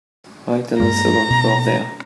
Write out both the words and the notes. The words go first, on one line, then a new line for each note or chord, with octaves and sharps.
Right on the second floor there.
G2 G#3 A#3 A#5
B2